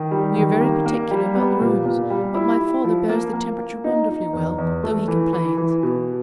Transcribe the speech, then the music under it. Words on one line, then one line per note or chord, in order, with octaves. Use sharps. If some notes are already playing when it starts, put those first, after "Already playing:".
We are very particular about the rooms, but my father bears the temperature wonderfully well, though he complains.
Already playing: D#3
G3
D#3
A#3
A#3
G3
B3
A#2
A#2
G3
E4
E4
F3
A#3
A#3
A#3
D#4
D#4
E2
E2
A3
E3
E3
E3
B2